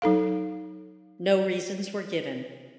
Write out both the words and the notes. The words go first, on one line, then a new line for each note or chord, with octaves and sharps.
No reasons were given.
F#3 D#4 A4 F5